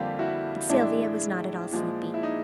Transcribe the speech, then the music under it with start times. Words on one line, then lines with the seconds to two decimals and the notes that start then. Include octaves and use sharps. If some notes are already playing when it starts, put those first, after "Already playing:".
But Sylvia was not at all sleepy.
Already playing: F2 D3 G3 A#3 F4 G4
0.19 E4 F#4
0.69 A2 E3 G#3 D4 E4
1.72 A#2 F3 G#3
2.14 E4
2.23 D#4